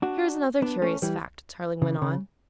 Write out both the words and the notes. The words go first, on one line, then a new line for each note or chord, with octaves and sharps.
"Here is another curious fact," Tarling went on.
D4 F#4
B3 D4
A3 C#4
E3 G3
C#3 E3
C#3